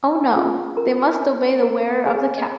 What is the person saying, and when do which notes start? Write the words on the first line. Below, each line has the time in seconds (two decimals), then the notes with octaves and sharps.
Oh, no; they must obey the wearer of the Cap.
0.35 C#4 F4 G#4
0.77 A#4 A#5
1.20 D#4 C#5
1.62 A#4 A#5
2.06 D#4 G#4 C#5 G#5
2.16 G#4 G#5
2.38 D#5